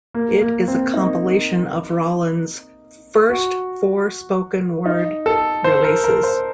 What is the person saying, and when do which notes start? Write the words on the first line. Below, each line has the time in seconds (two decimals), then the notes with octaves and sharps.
It is a compilation of Rollins' first four spoken-word releases.
0.14 A#3
0.42 A#3
0.68 C4
0.94 D#4
3.30 F#4
4.86 D#4
5.26 A4
5.64 C5
5.84 A#4
6.04 A#4
6.23 C5